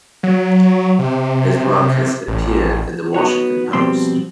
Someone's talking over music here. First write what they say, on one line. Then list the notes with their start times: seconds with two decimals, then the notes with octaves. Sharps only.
His work has appeared in the Washington Post.
0.23 F#3
0.99 C3
2.28 A1
3.14 B3 D#4 F#4 C#5
3.73 B2 F3 G3 C4 C6